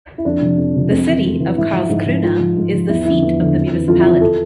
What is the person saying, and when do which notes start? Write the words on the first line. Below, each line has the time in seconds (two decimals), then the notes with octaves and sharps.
The city of Karlskrona is the seat of the municipality.
0.18 E4
0.25 F2 D4
0.41 C3 F3
0.58 F2
0.75 C3 F3
0.91 F2 C4
1.08 E3
1.24 F2
1.40 E3
1.57 G#2 E4
1.73 F3
1.89 G#2
2.06 F3
2.23 G#2 F4
2.39 F3
2.57 G#2
2.73 F3
2.89 E2 E4
3.05 D3 F3 E4
3.22 E2
3.39 D3 F3
3.55 F2
3.72 E3
3.88 F2 F4
4.00 E4
4.04 E3 F4
4.21 A4